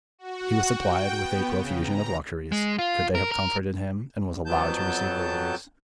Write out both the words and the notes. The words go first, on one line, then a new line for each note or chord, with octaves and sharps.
He was supplied with a profusion of luxuries, could they have comforted him; and was allowed to receive visitors.
F#4
G5
B3
C#3
A#5
G#3
F4
A#4
A#4
F2 F#3 B3 A5 G6